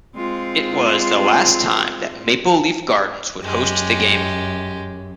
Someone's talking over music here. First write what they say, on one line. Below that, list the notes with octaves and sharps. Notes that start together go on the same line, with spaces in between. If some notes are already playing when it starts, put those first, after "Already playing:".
It was the last time that Maple Leaf Gardens would host the game.
G#3 C4 F4
F#2 G#3 G4